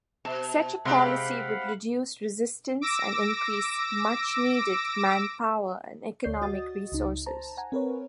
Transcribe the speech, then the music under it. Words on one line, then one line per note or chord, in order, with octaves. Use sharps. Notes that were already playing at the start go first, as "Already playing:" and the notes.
Such a policy would reduce resistance and increase much-needed manpower and economic resources.
B2 A5
C3 G#3 C4 G4 F5 F#5 B5
D6 E6 A#6 D7
D2 C#5 D5 G6 C7
F#4 D#5 D#6 A6
C#2 D#4
C5 A5 A#5
F#5 G#5 A#5
C4 A#4 B4 C#5